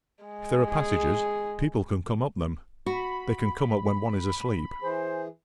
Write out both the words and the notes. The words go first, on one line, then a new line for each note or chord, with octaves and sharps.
If there are passages, people can come up them; they can come up when one is asleep.
G#3
G#4
F#4 B5
E3 G#4 C5